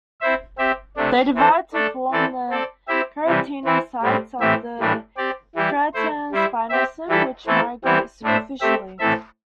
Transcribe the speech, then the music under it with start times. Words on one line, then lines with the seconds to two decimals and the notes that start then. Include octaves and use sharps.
They divide to form the keratinocytes of the "stratum spinosum", which migrate superficially.
0.21 C4 E4 C5 E5
0.58 C4 G4 E5
0.97 C3 A3 D4
1.35 E3 C4 A4 C5
1.73 A3 D4 A4 D5
2.11 E3 C4 A4 D5
2.50 C4 A4 D5
2.88 C4 E4 G4 E5
3.26 C3 E3 G3
3.65 E3 C4 E4
4.02 A2 G3 C4
4.41 A2 E3 C4 G4 E5
4.79 A2 E3 G3 D4
5.17 C4 G4 D5
5.55 E3 G3 E4 G4
5.94 A3 E4 C5
6.32 G3 E4 C5 E5
6.70 C4 G4 E5
7.08 E3 G3 E4 A4 E5
7.47 E3 A3 C4 E4 A4
7.84 E3 G3 C4 E4 G4
8.23 A2 A3 D4 C5 E5
8.61 A3 C4 G4 E5
8.99 A2 E3 C4 A4 E5